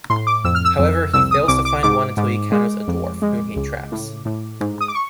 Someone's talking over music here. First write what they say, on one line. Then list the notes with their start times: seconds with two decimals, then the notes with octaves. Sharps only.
However, he fails to find one until he encounters a dwarf, whom he traps.
0.10 A2 C6
0.27 D6
0.44 F2 E6
0.55 F6
0.65 E6
0.79 F2
1.14 C2 E6
1.31 D#6
1.48 C2 D6
1.65 D6
1.83 G#2 D6
2.17 G#2
2.52 G#3
2.88 F2
3.22 G#3
3.56 C#2
3.92 A2
4.25 A2
4.60 G#2
4.81 D#6
4.88 D6
4.95 C#6